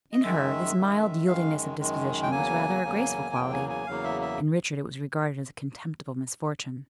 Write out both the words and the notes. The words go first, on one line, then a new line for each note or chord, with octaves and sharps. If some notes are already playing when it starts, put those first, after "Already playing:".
In her, this mild yieldingness of disposition was rather a graceful quality; in Richard it was regarded as a contemptible misfortune.
D#5
F#2 D#3 G#3 E5
F#2 D#3 G#3
F#2 D#3 G#3 F5
F#2 D#3 G#3
G5
E2 C#3 F#3 A#3 G#5
E2 C#3 F#3 A#3
E2 C#3 F#3 A#3 G5
G#5
G#5
E2 C#3 F#3 A#3 F5
E5
E5